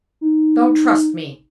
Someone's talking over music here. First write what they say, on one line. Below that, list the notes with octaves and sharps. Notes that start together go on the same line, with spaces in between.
"Don't trust me!"
D#4